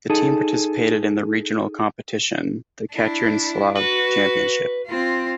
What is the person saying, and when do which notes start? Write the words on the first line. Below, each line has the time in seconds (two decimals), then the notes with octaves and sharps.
The team participated in the regional competition, the Katerynoslav championship.
0.10 D#4 G#4 A4
2.93 D4 E4
3.77 F#4 B4
4.86 C4 F4